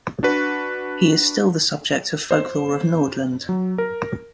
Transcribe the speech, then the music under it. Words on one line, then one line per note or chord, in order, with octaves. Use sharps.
He is still the subject of folklore of Nordland.
D4 F#4 B4
C5
F#3
A#4